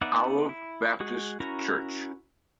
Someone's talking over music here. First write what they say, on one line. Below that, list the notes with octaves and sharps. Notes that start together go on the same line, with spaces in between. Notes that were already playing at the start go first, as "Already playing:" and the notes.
Olive Baptist church.
B3 D#4 D5 E5 F#5
E4
G#3 F#4 G#4
C#4 E4 F#4 A#4 A#5